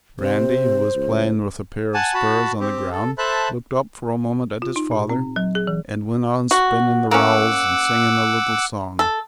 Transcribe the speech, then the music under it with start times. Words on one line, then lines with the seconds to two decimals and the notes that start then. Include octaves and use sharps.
Randy, who was playing with a pair of spurs on the ground, looked up for a moment at his father and went on spinning the rowels and singing a little song.
0.20 C3 C5
0.95 C#2
1.94 F#5 G#5 A5
2.14 F#4 A5 B5
2.60 C4 G4
2.92 A4
3.18 A4 C5 E5 A5 B5 F#6
4.62 F4
4.76 D#4
4.91 A#2
5.10 C4
5.36 F#3
5.55 G#4
5.67 E3
6.51 F#4
7.11 A#3 C#4 F#5 D6 E6
8.99 A4